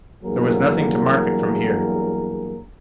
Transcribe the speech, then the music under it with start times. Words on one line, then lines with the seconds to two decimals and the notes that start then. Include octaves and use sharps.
There was nothing to mark it from here.
0.23 E2 G2 F#3 A#3 G#4 A#4